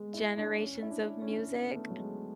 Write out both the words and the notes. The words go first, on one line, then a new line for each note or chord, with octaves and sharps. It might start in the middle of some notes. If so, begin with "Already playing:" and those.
generations of music.
Already playing: G#3 B3
E4
D4
C#4
E4
D4
C#4
D4
C#4
B3
B3
A3
F#3
G#3